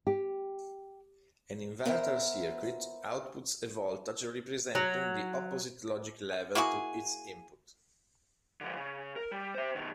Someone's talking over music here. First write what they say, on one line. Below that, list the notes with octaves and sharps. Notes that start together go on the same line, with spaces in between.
An inverter circuit outputs a voltage representing the opposite logic-level to its input.
G4
B3 A#4 C5 E5
F#3
A#3 E4 F#4 G#4
D3 F3
C#3
A#4
G3
C5 E5
B2 D#3